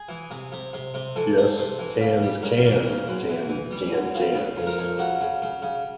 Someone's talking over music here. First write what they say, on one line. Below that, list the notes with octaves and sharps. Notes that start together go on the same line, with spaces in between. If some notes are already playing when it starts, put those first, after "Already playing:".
Yes, cans can can canned cans.
Already playing: G#4
E3
C3
C3
C3
C3
E3 A4
C3
C3
E3
C#3
G3
C#3 A#4
E3
A#4
C#3
F#2 B4
E3
E3
G3
F#2
C#3
C#3 B4
F2
A#4
F2
C#3 F#4
C#3
C#3
C#3